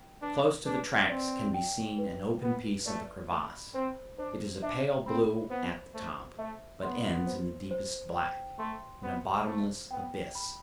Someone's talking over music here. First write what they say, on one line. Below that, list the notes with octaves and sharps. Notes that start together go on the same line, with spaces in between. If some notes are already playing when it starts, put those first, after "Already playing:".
Close to the tracks can be seen an open piece of the crevasse; it is a pale blue at the top, but ends in the deepest black -- in a bottomless abyss.
Already playing: G5
D4 B4
D4 B4
C4 D5
G5
B4
B3 B4
A3 D5
A3 B5
C4 C5
D4 C5
D4 E5
C4 B5
B3 C5
A3 C5
A3 E5
B3 C6
C5
C5
G5
A3 C6
B3 C5
A3 C5
B3 G5
B5